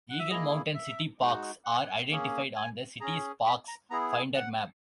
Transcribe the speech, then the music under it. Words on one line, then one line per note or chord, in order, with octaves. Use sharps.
Eagle Mountain City parks are identified on the city's Parks Finder Map.
F#5
E5
A#3 E4 G#4 D#5
E5
G#3 D#4 F#4
F#5
A#3 C#4 G#4
G#5
C#4 G#4 A#5
B5
A#5
B3 E4 G#4 A#5
G#5
F#5